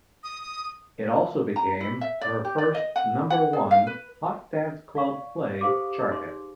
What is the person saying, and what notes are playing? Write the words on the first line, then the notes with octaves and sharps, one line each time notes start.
It also became her first number-one Hot Dance Club Play Chart hit.
D#6
A#5
E4
E5
D5
G4
D5
D#5
F#5
F#5
G#4
F5
B4
D5 F5 C#6
G4 A4 C5 F5 C6 D6
D#4 G#4 C6